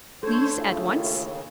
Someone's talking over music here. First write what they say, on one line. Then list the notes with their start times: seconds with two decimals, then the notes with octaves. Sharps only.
Please, at once?'
0.23 A3 D4 A4 C5 C#5
0.55 D#2 C#3 A3 E4 F4